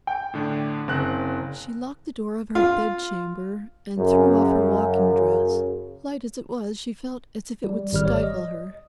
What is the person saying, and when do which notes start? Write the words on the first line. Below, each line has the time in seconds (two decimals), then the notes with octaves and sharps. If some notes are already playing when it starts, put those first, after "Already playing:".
She locked the door of her bedchamber, and threw off her walking-dress; light as it was, she felt as if it would stifle her.
0.07 G5
0.34 A2 D3 D4
0.88 F#1 C4 F#6
2.55 F4
3.97 F#2 C#3
7.64 G3
7.93 G#1 G3 F6
8.05 C#5 D5
8.23 D#5